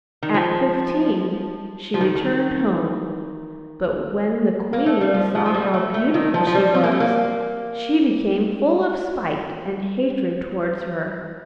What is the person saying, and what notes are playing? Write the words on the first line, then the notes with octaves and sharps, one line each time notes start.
At fifteen she returned home, but when the Queen saw how beautiful she was, she became full of spite and hatred toward her.
D#3
F3
F3
D#3
D#3
A#3
A3
G3
F3
F3
F3
G3
A3
A3
D#3
F3
F3
G3
C4
A#3
A3
A#3